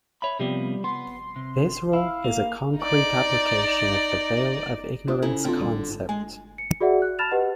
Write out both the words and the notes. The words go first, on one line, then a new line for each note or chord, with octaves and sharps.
This rule is a concrete application of the veil of ignorance concept.
C#5 E5 B5
C3 F3 G3 B3
B3 C6
C3
E4 F5
A#3
D#4 D5
D4 F4 C5 D#6
C#3 E4 A4 G#5 A#5
D3 C4 F4
G2 G3 F4
G#2
G#3 G#5
C#7
F#4 G#4 D5 E5 F#5
F#6
A5 B5 F6 A6 E7 F7
G4 B4 D#5 F#5